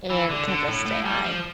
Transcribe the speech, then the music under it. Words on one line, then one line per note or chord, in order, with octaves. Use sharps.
And to this day, I
E3
D3
D3
A2
A2
G3
F3